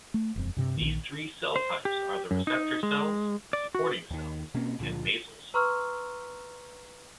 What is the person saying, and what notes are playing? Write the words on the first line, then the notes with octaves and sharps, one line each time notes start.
These three cell types are the receptor cells, supporting cells and basal cells.
A3
E1 F2
G2 C3
A#1 D#3
C5
G4
F#2
D#4
G#3
D5
F#4
D#2 D#3
B2 A#3 C4 C#4
C#2 A#2 D3 F3
B4 A#5 C6 C#6 E6 F6